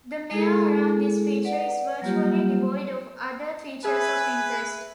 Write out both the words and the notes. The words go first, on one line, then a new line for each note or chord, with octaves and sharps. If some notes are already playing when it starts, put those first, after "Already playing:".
The mare around this feature is virtually devoid of other features of interest.
G#3 E4 G#4 A4
B4 D5 F#5
F#3 G3 A#3 F4 G4
G#4 B4 E5 G#5